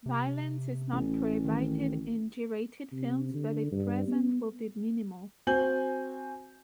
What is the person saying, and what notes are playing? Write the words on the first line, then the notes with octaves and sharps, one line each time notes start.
Violence is not prohibited in G rated films, but if present will be minimal.
C3
A1
D#3
C3
D3
G2
B3
C4 F#4 G#5 G6 F#7